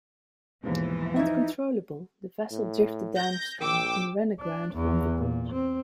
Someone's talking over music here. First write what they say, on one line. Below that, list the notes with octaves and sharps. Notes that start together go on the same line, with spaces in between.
Uncontrollable, the vessel drifted downstream and ran aground from the bridge.
D#2 G#2 B2 E3 F3
D#4 E4 E5
A2
G6 A#6
A#1 G5 D6 E6
D4
E2
A#2
C4